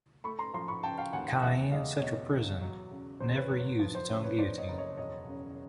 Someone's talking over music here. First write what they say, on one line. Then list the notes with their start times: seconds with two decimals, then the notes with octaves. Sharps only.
Cayenne Central Prison never used its own guillotine.
0.24 A3 B5 C#6
0.39 A#5 C6
0.54 F3 A#5 C6
0.68 B5 C#6
0.83 C#3 G5 A5
0.98 F5 G5
1.13 D#2 F#5 G#5
1.28 F5 G5
1.42 E2 E5 F#5
1.72 G#3 D#5 F5
2.01 B2 C#5 D#5
2.32 E2
2.61 F#3
2.91 C#3
3.20 E2 C5
3.36 B4 C#5
3.49 F#1 B4 C#5
3.79 F3 B4
3.95 C5
4.08 C#3 C5
4.24 B4 C#5
4.39 F2 C5 D5
4.58 C#5 D#5
4.68 F#1
4.77 C#5 D#5
4.97 E1 C#5 D#5
5.27 C#3